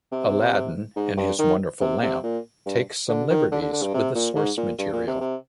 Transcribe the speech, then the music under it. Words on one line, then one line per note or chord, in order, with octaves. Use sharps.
"Aladdin and His Wonderful Lamp" takes some liberties with the source material.
C3
G#2
G2
D#3
C3
C3
A#2
G2
D3
D#3
D3
D3
D3
G2
C3
A#2
G#2
A#2
G2
A#2
C3
C3